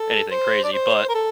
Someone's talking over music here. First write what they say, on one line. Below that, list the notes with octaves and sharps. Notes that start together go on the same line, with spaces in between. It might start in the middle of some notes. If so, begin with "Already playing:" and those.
anything crazy, but,
Already playing: A4
C5
D5
C5
A#4
A4